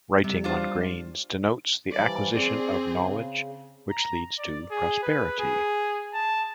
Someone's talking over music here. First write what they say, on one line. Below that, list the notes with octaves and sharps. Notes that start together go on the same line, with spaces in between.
Writing on grains denotes the acquisition of knowledge, which leads to prosperity.
C3 G3
D4 F4 C5
E3 F3 G3 D5
C4 G#4 D5
C#3
A#5
D5
G#4
B4
G#4
A5